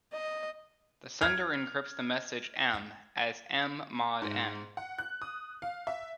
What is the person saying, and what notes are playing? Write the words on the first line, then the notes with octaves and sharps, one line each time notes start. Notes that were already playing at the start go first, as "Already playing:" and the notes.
The sender encrypts the message "m" as "m" mod "N".
D#5
F6 G#6
G#2
F#5
F#6
D#6
F5
E5